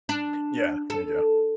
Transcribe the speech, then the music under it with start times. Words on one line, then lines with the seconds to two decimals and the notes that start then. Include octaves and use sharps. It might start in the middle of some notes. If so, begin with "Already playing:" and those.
Yeah. There you go.
0.09 D4
0.90 A4